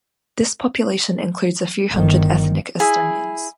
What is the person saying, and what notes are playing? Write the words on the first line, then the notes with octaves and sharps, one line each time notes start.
This population includes a few hundred ethnic Estonians.
G1 D#3
E4 G#4